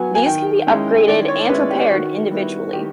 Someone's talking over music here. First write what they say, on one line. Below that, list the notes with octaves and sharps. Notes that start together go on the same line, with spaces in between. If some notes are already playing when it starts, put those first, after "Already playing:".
These can be upgraded and repaired individually.
Already playing: F#3 B3 F#5 G#5
G#5
D#3 G5
G#3 C#4 E4
D#3 D5
C#5
G#3 C#4 E4 B4
G4
D#3 F#4
G3 B3 E4
D#3 G4